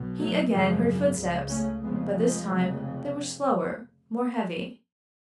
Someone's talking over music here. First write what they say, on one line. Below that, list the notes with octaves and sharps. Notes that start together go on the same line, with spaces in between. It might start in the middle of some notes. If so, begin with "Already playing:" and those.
He again heard footsteps, but this time they were slower, more heavy.
Already playing: B1 B2
F#3 A3
G#1 F#2 C#3 F3 G#3
C#2 C#3
A3 C#4
F1 F2 C#3 G#3 B3
F3 G#3
F1 F2 C#3